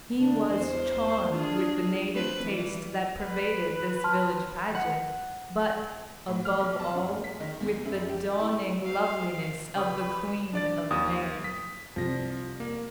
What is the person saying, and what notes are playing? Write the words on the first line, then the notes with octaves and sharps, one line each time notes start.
He was charmed with the native taste that pervaded this village pageant, but, above all, with the dawning loveliness of the queen of May.
C#3 D4
E2 E3 C5
D4 F4 G#4
A3 C4 B4
E3 G3
B4
A5 C6 F6
F#5
A2
F6
B1
A5
F#2
G#3
B6
D#3
E2
F#2
G4
E4
C5 F5
C#2 B4 C#5 B5 D#6
D4 D5 A6
D#2 D#6
B6
C2 F2 F3 A#6
A#3